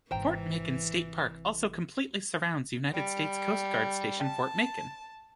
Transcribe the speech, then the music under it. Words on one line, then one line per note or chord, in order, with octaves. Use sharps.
Fort Macon State Park also completely surrounds United States Coast Guard Station Fort Macon.
G#1 C3 E3 C5 G5 A#5
G3
A5